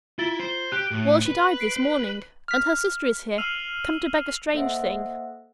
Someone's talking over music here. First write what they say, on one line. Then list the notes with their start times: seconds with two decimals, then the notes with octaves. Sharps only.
'Well! she died this morning, and her sister is here--come to beg a strange thing.
0.19 E4 F4 A6 G7
0.40 C5
0.72 G4 F#6
0.91 A2
1.26 B4
1.60 C7 D7
2.48 F6 B6
3.38 E6 F6 C7 D#7 F7 F#7
4.54 A#3 A4 C5 D#5 E5 F#5